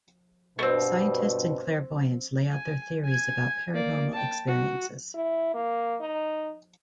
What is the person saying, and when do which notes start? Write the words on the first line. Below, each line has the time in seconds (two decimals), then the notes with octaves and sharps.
Scientists and clairvoyants lay out their theories about paranormal experiences.
0.59 G2 B2 A3 C4
2.52 G#5
3.05 G#5 G#6
3.74 A#3 D5
4.13 G5 A5
4.47 F#4
5.14 E4
5.54 A#3
6.01 D#4